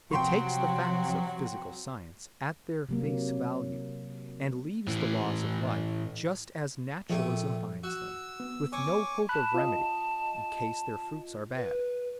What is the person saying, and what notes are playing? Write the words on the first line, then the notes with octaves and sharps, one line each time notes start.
It takes the facts of physical science at their face-value, and leaves the laws of life just as naturalism finds them, with no hope of remedy, in case their fruits are bad.
C3 F3 F#3 F#4 G5 C6 C#6
C3 F#3 A#3
A2 E3
A#1 C3 F3 A3
F#4 E6
B3
C#4 G#5 C#6 D6
A5 B5 F#6
F4 D#5
B4